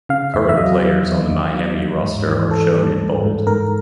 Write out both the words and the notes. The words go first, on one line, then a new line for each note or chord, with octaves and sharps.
Current players on the Miami roster are shown in bold.
C#3 F5
E2 E5
E5
F#3 D#5
E2
E2
E2
F#3
E2
G#2
E3
E3 A4
G3
G#2
G#2
G#2 A#4